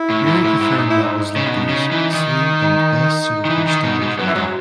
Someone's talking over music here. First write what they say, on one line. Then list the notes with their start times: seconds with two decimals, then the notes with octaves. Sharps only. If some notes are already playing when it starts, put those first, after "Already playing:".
Mary preferred novels like these seeing that it best suited her style of writing.
Already playing: E4
0.10 A2
0.27 G#2
0.44 A2
0.61 G#2
0.78 D#4
0.90 E4
1.03 D#4
1.36 C#3
1.46 B2
1.69 C#3
1.91 E3
2.14 D#3 D#4
3.45 D#3
3.50 E3
3.67 D#3
3.84 B2
4.01 G#2
4.18 F#2 B3
4.27 E3
4.35 G#2 F#3